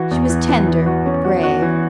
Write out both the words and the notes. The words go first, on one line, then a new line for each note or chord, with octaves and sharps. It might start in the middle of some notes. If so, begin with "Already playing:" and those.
She was tender, but grave.
Already playing: E3 F#4
E2
E3
E3
E3
F#4
C#4
F#4
F#4
E3